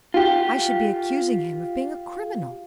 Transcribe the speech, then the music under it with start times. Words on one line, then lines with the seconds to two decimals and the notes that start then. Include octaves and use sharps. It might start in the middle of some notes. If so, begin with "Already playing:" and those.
I should be accusing him of being a criminal.
0.14 F4 G4